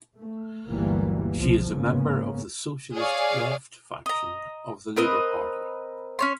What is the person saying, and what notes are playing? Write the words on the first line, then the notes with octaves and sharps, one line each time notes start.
She is a member of the Socialist Left faction of the Labor Party.
A3
G1 D2 E3 F#3 G3 A#3
G1 C2 B2 F3
G#2 C#3 A#3 B3 C#4
G#4 C#5 D5 F5
D#5 A#5
C4 A#4 B4 D#5
C#4 C#5 C6